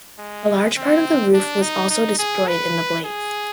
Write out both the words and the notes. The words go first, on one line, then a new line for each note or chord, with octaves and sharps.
A large part of the roof was also destroyed in the blaze.
G#3
C4
D4
D#4
D#4
G#4
B4
G#4